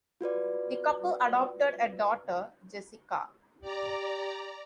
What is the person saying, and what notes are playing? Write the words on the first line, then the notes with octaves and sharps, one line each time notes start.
The couple adopted a daughter, Jessica.
F4 F#4 B4 D5
G4 D5 A#5